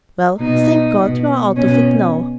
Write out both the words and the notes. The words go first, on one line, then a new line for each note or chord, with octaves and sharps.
"Well, thank God you're out of it now!"
B2 D#4
B2
B2 C#4